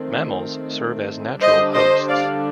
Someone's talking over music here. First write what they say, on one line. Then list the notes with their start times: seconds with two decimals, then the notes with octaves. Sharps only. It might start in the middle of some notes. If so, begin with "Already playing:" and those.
Mammals serve as natural hosts.
Already playing: D#3 A3 C4
1.41 D3 G3 D4 C5 D#5
1.74 C5 D#5
2.09 D5 F5